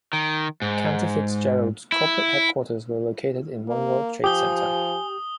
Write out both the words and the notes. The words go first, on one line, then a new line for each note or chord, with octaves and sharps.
Cantor Fitzgerald's corporate headquarters were located in One World Trade Center.
D#3
G#2
E4
A#3
F3 G4 G#5 D#6 G6 G7